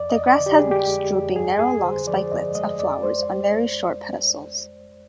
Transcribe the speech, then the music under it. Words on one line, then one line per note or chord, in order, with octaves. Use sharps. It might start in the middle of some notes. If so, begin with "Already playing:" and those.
The grass has drooping narrow long spikelets of flowers on very short pedicels.
Already playing: F2 D5
D#5
F2
D5
D3
G4
G#4
G#3
G4
F2
F2
G2 G#4
G#3 G#4
D3 C5
F3 D5
G2 D#5
G#3 D#5
F2 D5
G#3 C5